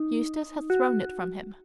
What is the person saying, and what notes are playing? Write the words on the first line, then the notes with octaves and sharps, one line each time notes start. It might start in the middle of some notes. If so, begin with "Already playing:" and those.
Eustace had thrown it from him.
Already playing: D#4
F#4